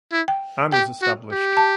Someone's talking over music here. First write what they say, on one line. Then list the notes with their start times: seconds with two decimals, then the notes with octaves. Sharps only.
Anne was established.
0.12 E4
0.28 G5
0.72 G4 G5
1.02 F#4
1.32 G4
1.57 A5